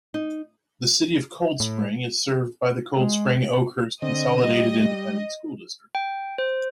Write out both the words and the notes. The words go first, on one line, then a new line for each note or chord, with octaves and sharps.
The City of Coldspring is served by the Coldspring-Oakhurst Consolidated Independent School District.
D#4
A2
G#3
D3 C4 D#5
G3
G5
C5